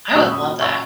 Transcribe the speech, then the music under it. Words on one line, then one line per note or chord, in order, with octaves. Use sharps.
I would love that.
D#6
A#2 F#3 C#4 C#6 E6
B5 D#6
C#6 E6